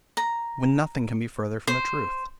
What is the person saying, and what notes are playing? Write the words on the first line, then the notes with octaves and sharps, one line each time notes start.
When nothing can be further from the truth.
A#5
C5